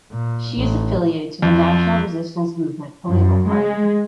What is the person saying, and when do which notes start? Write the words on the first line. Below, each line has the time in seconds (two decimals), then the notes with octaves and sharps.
She is affiliated to the National Resistance Movement political party.
0.12 A#2
0.57 A1
1.42 F2
3.09 F#2
3.49 G#3